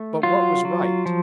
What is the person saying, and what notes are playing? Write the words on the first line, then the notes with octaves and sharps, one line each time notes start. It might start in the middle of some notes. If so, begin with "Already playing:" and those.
But what was right?
Already playing: A3
F#3 F4
F#3
F3